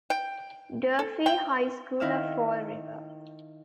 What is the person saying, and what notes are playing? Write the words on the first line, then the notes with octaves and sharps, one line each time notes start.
Durfee High School of Fall River.
G5
A4
G5
D#3 E4 F5 E6